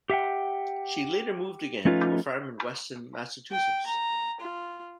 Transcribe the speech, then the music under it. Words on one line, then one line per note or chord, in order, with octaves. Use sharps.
She later moved again to a farm in Weston, Massachusetts.
G4 E5 F#5 G5
F3 A3 C#4 D#4 F4 B4
G5
A#5
F4